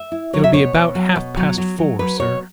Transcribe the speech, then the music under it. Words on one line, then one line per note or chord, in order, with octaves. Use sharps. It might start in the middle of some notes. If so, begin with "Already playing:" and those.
"It'll be about half-past four, sir."
Already playing: E5
E4
F#3 C#5
E5
B2 C#5
B2
F#3
B2
F#3
F#3
F#3
F#3 B4
B2 C#5